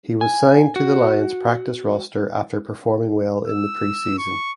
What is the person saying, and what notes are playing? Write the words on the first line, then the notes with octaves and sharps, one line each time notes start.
He was signed to the Lions practice roster after performing well in the preseason.
G#5
F#4
E6
C#6